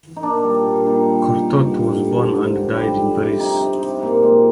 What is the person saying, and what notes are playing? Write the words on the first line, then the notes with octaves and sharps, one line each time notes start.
Cortot was born and died in Paris.
D#4
A#2 D4
G3
A#2
G3 D#4
G3
G3
G2
D3
G2
F3
D3
D3
G3
G3
C3
C3 D#4
C3
C3
A#2
G#3